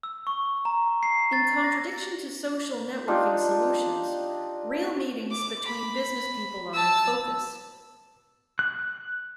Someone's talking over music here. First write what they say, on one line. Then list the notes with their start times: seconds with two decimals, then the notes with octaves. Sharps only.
In contradiction to social networking solutions, real meetings between business people are in focus.
0.03 E6
0.27 C#6
0.65 A#5
1.03 C7
1.33 A6
1.64 A#6
3.08 D4 D#4 F4 G4
5.31 D6
5.66 B5
6.74 A5 E6
8.59 F#6